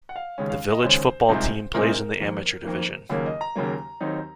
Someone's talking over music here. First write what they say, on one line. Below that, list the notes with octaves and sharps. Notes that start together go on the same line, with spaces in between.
The village football team plays in the amateur division.
F#5
F5
D#2 C#3 G#3 C#4
F5
D#5
D#2 C#3 G#3 C#4 C5
C2 A#2 G#3 C4 D#4
C2 A#2 G#3 C4 D#4 A#4
F2 D#3 A#3
F2 D#3 A#3
D#2 C#3 F#3 A#3
D#5
A#5
D#2 C#3 F#3 A#3
D#2 D#3 F#3 C4 D#4